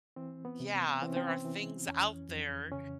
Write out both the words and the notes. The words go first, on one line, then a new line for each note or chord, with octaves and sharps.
yeah, there are things out there
E3 C4
B3
C3
E3 C4
C#4
C4
E3
F2 C#4
F2
C#3 C#4